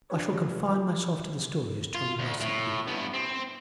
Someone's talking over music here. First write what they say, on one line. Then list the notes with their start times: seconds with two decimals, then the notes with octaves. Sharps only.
I shall confine myself to the story as told by St Luke.
0.10 F3 D4 F4 G4 B4 C#5
1.95 F4
2.19 D2
2.41 A2
2.88 G2 B3
3.14 C4